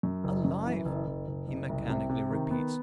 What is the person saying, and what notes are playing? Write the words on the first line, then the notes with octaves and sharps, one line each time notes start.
"Alive!" he mechanically repeats.
F#2
F#1
F#2
E3
F#1
F#1
F#1
F#1
C2
C3
C3
D#3
B3